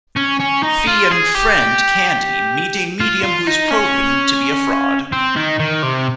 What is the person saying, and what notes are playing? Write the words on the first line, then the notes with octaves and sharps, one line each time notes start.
Fi and friend Candy meet a medium who is proven to be a fraud.
C#4
C#4
D#4
F4
G#4
G4
F4
F4
D#4
C#4
C4
D#3
D#3
C3